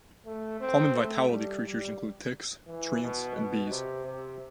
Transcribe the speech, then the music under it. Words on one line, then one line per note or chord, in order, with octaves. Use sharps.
Common Vitality creatures include ticks, treants, and bees.
A3
C4
A3
G3
G3
E3
B2
B2
C3
C3